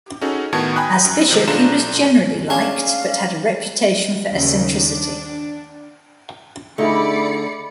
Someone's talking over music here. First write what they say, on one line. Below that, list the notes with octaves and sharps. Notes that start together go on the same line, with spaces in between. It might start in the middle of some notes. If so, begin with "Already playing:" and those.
As bishop he was generally liked, but had a reputation for eccentricity.
C#4 D#4 F#4 G#4 A4
A2 D#3 B3 F#4 A5 G#6
G5 G#5 A#5 B5 D#6 F#6
F#2
C3 D#3 F3 C4
B1 A3 D4 F4 A#5 E7
C#4 D4 G#4 F5
D#2 C#3
D4
D3 A3 D#4 E4 G#4 D5 B5 C#7